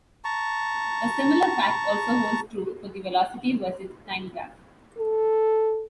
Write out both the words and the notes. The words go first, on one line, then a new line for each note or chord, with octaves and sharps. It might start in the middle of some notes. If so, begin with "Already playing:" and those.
A similar fact also holds true for the velocity versus time graph.
A5 A#5 C#6
A4